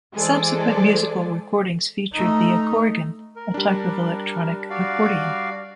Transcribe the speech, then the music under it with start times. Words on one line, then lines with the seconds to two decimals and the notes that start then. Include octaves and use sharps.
Subsequent musical recordings featured the accorgan, a type of electronic accordion.
0.13 E3 G#3 G#4 A4 C5 D5
2.13 A3 D#4
3.36 A#4
3.54 G3 D4
4.70 F#4 D5 F5